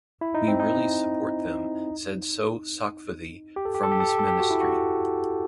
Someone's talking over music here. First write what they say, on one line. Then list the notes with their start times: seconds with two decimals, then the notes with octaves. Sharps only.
We really support them, said So Sokvuthy from this Ministry.
0.21 E4
0.34 D#4
0.48 C4
0.60 D#4
3.56 G4
3.65 A4
3.75 G4
3.83 A4
3.92 G4
4.00 A4
4.09 G4
4.19 A4
4.27 G4
4.40 F#4
4.50 E4
4.61 F#4